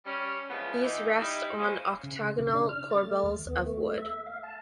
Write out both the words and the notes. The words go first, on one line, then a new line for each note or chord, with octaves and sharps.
These rest on octagonal corbels of wood.
G3 C#4
C#3 E3 F3 G#3 A#3 B3
E3 D#4
G3 D#4 E4
C#3 G#3 C#4 E4 F4 C5
C#3
C#3
D4
F6
A6
A3
D#2
B3
A3
E5
F5
A5